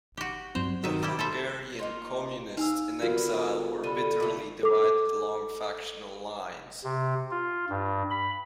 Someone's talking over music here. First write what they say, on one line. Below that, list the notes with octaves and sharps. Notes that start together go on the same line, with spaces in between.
The Hungarian Communists in exile were bitterly divided along factional lines.
F#4 G4
G2 F#3 C4 C5
D#3 F#4 E5
G3 E4 G4 A#5
A4 C5 E5
A#3 D#4 F4
D#4 F5 G#5 E6
D3 B3 F4 F#4 A#4
D3 G3 A4 B5 D#7
D3 A3
A4 D6
C3
F4
G2
B5